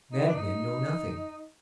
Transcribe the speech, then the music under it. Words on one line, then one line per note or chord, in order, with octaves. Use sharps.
Madmen know nothing.
D#4
D4
D#4